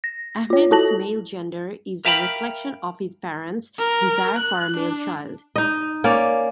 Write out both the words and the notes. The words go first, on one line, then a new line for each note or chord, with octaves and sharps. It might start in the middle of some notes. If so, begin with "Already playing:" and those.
Ahmed's male gender is a reflection of his parents' desire for a male child.
A#6
F4 C#5
E4 F#4 A4 A5 A#6 F#7
A#4 E5 F5 G5 A5 B5
A#4
F#6
D4
D#4 D#5
A#3 C#4 D5